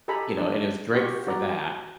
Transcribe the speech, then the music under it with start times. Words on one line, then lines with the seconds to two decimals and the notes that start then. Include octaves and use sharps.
you know, and it was great for that,
0.08 G4 A4 D#5 G#5 A#5 B5
0.37 D4
0.93 F#4 G4 C5 C#6
1.27 F#4 D5 A#5